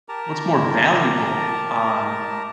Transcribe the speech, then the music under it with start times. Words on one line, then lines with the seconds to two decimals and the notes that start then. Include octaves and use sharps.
what's more valuable, um
0.09 G4 A#4 A5 A#5